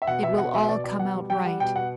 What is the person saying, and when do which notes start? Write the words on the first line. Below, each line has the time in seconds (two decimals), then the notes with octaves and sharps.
It will all come out right.
0.02 E5
0.07 B2 F#5
0.23 B2 E5
0.38 B2 F#5
0.54 B2 E5
0.69 B2 D5
0.84 B2 D5
0.99 B2 F#5
1.14 G3
1.30 G3 G5
1.45 G3 F#5
1.60 B2 G5
1.76 B2 F#5